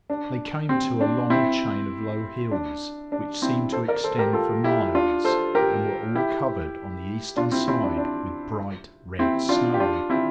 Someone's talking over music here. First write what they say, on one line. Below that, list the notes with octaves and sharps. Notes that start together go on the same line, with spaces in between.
They came to a long chain of low hills which seemed to extend for miles, and were all covered on the eastern side with bright red snow.
D4
C4
D4
C4 E4
D4
D4
C4 E4
A4 C5
A#4 D5
A4 C5
G4 A#4
F4 A4
E4 G4
D4 F4
A4 C5
G4 A#4
E4 G4
D4 F4
C4 E4
C4 E4
D4
D4
C4 E4
D4 F4
G4
D4 F4
C4 E4